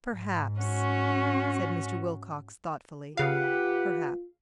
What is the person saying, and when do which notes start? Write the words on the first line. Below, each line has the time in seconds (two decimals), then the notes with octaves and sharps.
"Perhaps," said Mr. Wilcox thoughtfully--"perhaps."
0.14 G#2
0.60 C#4 F#4
3.17 C#3 F4 G4 B4 F5 F#5